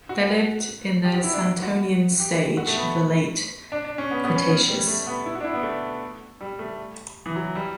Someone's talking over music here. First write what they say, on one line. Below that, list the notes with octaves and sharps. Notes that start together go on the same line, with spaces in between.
They lived in the Santonian stage of the Late Cretaceous.
F#4
G4
F#4
E4
D4
F#4
F#4
G4
F#4
A3
B3
D4
D4
C#4
B3
B3
C#4
B3
G3
A3
B3
E4
F#4
D4
E4
B3
A3
G3
A3
E3
F#3
G3